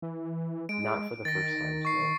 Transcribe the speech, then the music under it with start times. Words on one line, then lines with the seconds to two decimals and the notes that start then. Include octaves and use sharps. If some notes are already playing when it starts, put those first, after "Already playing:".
Not for the first time today.
0.02 E3
0.69 G#3 D7
1.25 D#3 A6 A#6
1.85 C#6 C7